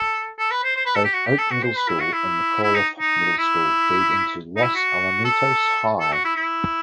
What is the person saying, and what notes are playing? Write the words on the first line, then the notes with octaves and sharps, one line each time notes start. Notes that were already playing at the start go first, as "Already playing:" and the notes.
Both Oak Middle School and McAuliffe Middle School feed into Los Alamitos High.
Already playing: A4
A4
B4
C5
C5
B4
A4
G4
F#4
G4
A4
F#4
C5
B4
E4
F#4
E4
E4
D#4
D#4
E4
D#4
E4
F#4
A4
A4
F#4
E4
E4